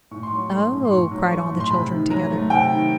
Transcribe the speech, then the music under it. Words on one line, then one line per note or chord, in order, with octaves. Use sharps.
"Oh!" cried all the children together.
A2 C#6
C6
F#3 C#6
A3 C6
A2
C6
A2 C#6
F#3
A3 C#6
A2
C6
C3 B5
D#3
F#3 A#5
A3
C3 G5
D#3